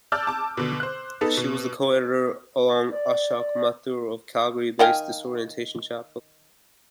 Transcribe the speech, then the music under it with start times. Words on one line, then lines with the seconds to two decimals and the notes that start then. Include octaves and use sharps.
She was the co-editor, along with Ashok Mathur, of Calgary-based DisOrientation Chapbooks.
0.12 D5 A5 D6 E6 F6 G6
0.27 A5 D6
0.57 B2 D3
0.80 C5 F#6
1.21 B3 D#4 A4
1.37 B2
2.91 D5
4.79 D#3 F5 G5 G#5